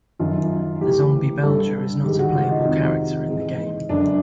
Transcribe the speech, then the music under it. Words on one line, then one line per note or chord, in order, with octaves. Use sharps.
The Zombie Belger is not a playable character in the game.
F#2 D#3 F4
A2 E3 G4
G2 D3 A4
G#2 D#3 G4
F#4
F4
D#4
F2 C3 D#3
G#2 E3
F#2 D3 D4